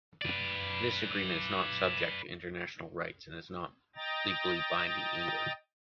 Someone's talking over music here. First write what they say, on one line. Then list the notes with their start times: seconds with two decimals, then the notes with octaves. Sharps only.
This agreement is not subject to international rights and is not legally binding either.
0.22 B4 D5
3.96 D#5 G5 A#5 A6